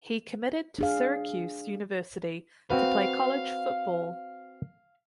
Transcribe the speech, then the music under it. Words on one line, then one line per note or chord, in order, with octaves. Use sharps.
He committed to Syracuse University to play college football.
D4 G#4 F5
C4 F#4 B4 F5